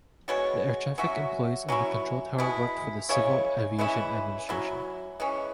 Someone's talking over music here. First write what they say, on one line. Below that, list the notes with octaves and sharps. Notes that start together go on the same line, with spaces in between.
The air traffic employees in the control tower worked for the Civil Aviation Administration.
G#3 B3 F#4 C#5
F#3 C#4 F#4 E5
F#3 C#4 E4
B2 G#3 E4
C#3 G#3 E4 C#5
E3 G#3 C#4 E4
F#3 C#4 E4
E3 G#3 C#4